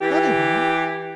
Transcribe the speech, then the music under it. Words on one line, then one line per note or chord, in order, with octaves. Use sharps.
"No, they won't...."
E3 G4